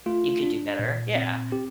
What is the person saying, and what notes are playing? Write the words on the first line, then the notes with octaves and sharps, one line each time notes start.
"You could do better." Yeah.
A3 F4
D4
A#2
C4
C4 G4